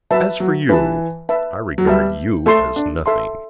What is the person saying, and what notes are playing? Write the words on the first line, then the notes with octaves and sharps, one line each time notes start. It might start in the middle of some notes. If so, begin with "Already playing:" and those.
"As for you, I regard you as nothing."
F#3 B4 E5 A5
F#3
E3 B4 E5 A5
B4 E5 A5
F#3
G3 B4 E5 A5
A3 A4 E5 A5 C6
D4
A4 E5 A5 C6